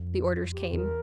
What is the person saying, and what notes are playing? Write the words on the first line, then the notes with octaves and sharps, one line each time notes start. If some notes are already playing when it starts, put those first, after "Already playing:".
The orders came.
Already playing: F2
F4
F4
G4
E2 A#4